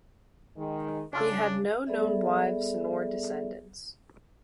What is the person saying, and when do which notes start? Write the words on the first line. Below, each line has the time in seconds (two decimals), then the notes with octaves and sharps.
He had no known wives nor descendants.
0.57 D#3 G#3
1.13 C#3 C#4 D4 F4 A4
1.86 G3 B3 G#4 A4 D5 E5